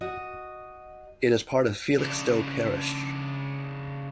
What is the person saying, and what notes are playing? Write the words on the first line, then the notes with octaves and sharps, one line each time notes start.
It is part of Felixstowe parish.
F#4 D#5
C#3 D4